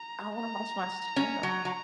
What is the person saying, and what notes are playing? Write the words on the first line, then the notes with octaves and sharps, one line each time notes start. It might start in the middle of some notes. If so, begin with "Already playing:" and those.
I wanna watch my show.
Already playing: A#5
A#5
C#4
F#3
F#3